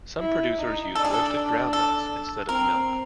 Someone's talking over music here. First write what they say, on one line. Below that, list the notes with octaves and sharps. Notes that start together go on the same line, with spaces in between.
Some producers use roasted groundnuts instead of milk.
E4
D#4
D4 A4
G#4
A4
A4
C4 A#4